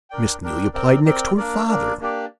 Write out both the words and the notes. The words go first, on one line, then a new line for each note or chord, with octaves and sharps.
Miss Neelie applied next to her father.
D4 A#4 D5 G5
D4 A#4 D5 G5
C4 A#4 D5 G5
C4 A#4 D5 G5
A#3 D4 A#4 D5
A#3 D4 A#4 D5
A#3 D4 G4 D5